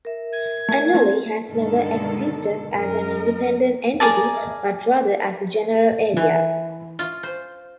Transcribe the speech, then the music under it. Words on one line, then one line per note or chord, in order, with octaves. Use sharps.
Anerley has never existed as an independent entity, but rather as a general area.
A#4 E5
G#6
A3 G#5
A3 A#3 C4
G2 B2 D3 D#3 G#3 A4
F#2 A#4 D#5
G#4 A#4 D5 A5
E3
F4
C5